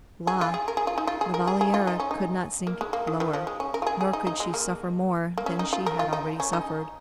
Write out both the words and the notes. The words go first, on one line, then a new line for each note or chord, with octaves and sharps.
La Valliere could not sink lower, nor could she suffer more than she had already suffered.
G#4
F4
G#4
A#4
G#4
F4
D#4
F4
G#4
A#4
G#4
G#4
F4
D#4
C#4
D#4
A#3
G#3
A#3
D#3
D#3
F3
G#3
C#4
A#4
F4
G#4
G#4
D#4
D#4
G#3
A#3
A#3
C#4
D#4
F4
A#4
F4
D#4
C#4
D#4